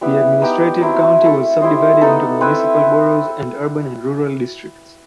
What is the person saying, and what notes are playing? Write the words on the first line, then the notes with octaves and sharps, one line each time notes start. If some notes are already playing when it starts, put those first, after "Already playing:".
The administrative county was subdivided into municipal boroughs and urban and rural districts.
G3 B3 E4
B3 D#4 G4
F#3 C4 E4
A3 E4 A4
E4 G4 C5 D#5
B3 D#4 A4
C4 E4 B4 E5